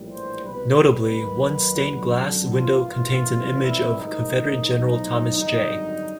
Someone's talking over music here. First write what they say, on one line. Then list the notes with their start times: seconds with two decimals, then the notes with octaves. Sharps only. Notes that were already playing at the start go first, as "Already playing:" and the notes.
Notably, one stained glass window contains an image of Confederate General Thomas J.
Already playing: A#1 A2 E3 G3
0.11 C5
0.46 C2 B2 G3 B4
0.81 B4
1.16 D#2 D#3 F#3
1.86 G#1 F#2 D3 F#3
2.22 A4
2.56 A#1 G#2 E3 F4
2.92 F4
3.27 F2 C3 E3 G3
3.62 E4
3.97 A1 G#2 D#3 G3 D#4
4.67 B1 A2 F3 D#4
5.37 G#1 F#2 D3 G3 D#4